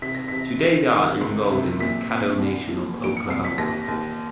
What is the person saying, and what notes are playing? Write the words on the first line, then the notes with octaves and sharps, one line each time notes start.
Today they are enrolled in the Caddo Nation of Oklahoma.
C3 B6
A#6
C3 B6
D#3
D#3
C#2
C3
A#2 B6
A#2
C2
F3
A#2
D7
C#7
C2 C7
B6
D#2 A#6
D#2